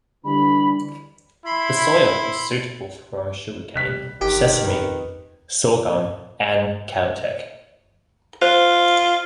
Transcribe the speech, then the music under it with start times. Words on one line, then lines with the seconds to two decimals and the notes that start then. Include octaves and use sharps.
The soil is suitable for growing sugar cane, sesame, sorghum and cattle tech.
0.25 D3 E3 G3 B5
1.46 E4 B5 C6
3.76 C3 G3 F#6 B6
4.21 G1 D#3 G4
4.67 F2 B4
8.42 F4 C5